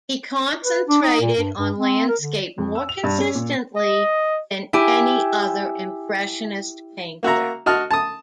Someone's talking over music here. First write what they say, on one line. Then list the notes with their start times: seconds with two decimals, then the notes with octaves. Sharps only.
He concentrated on landscape more consistently than any other Impressionist painter.
0.64 B4
0.88 D4
1.03 D#4
1.21 A#2
1.38 G2
1.58 G2
1.78 C4
2.09 A#4
2.21 D3
2.58 F2
2.75 E6
2.89 F7
3.04 G2
3.18 C#4
3.35 A#2
3.76 D#5
4.73 E4 G4 G#5
7.23 A#3 F#4 E5 A#5
7.66 F#4 D#5 A5 F6
7.91 A5 D#6